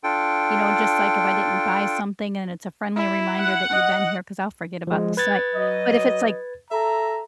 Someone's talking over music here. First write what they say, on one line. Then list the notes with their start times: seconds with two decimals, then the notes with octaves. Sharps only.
you know, just, like, if I didn't buy something and it's a friendly reminder that you've been here, 'cause I'll forget about the site. But if it's like
0.04 D4 F4 A4 G5
2.96 E4
3.37 F#5
3.71 D#5
4.87 F3 G#3
5.17 B4 G#6 A6
5.54 F#3 D#5
6.71 A4 E5 A#5